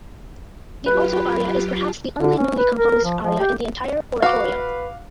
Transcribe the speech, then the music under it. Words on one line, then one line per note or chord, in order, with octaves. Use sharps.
The alto aria is perhaps the only newly composed aria in the entire oratorio.
F#3 F4 G4 B4
D3
C#4
B4
A#4
F3
F3
G4
F#4 B4 F5 D6